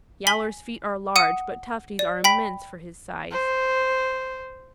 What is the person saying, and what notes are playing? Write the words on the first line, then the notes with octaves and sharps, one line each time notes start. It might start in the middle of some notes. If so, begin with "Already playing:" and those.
Yowler's feet are large, but Tufty's are immense for his size.
G#5 B6 F#7 G7
F#5 D#6 C#7 D#7
D5
G5 B5 B6
C5